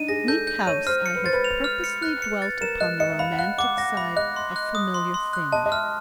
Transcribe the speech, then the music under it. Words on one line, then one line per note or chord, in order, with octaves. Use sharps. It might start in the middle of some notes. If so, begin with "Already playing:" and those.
In Bleak House I have purposely dwelt upon the romantic side of familiar things.
Already playing: D4 D#4 D#7
G#4 A#6
A4 G6
G6
C#5 D#7
C5 F6
C#7
B4
C5 A6
B4
F7
F6
C#7
F#6
C#7
A6
A#4 E7
D#5 F#6
D#5 C#7
E5
F5 B5
F#5
F5 F#6
F#5 D6
F#5 A#6
E5 B5
D#5 F#6
C6
F#6
D#6
C6
C6
F#6
D#5 A5
D#5
E5 F6